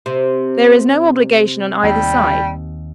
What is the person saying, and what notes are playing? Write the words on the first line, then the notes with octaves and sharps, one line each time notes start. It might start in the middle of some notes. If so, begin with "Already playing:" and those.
There is no obligation on either side.
C3
D#2 G3